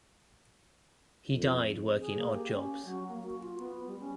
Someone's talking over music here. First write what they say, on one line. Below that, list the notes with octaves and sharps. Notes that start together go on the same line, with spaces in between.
He died working odd jobs.
F2
G#4
A#3
G4
C#4
F#3
A#3
F#4
F4
B3
G3
C#4